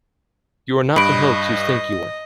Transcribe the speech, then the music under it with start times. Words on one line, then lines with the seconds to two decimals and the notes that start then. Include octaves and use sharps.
You're not the hoax you think you are.
0.96 G2 D#5 B5 D7